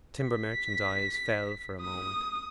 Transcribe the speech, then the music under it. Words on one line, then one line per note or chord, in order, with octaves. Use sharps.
The timber-merchant's eyes fell for a moment.
B6
D#6